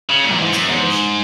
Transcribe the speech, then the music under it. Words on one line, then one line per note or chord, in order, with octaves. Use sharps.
of inspiration.
C#3
A#2
G#2
F#2
G#2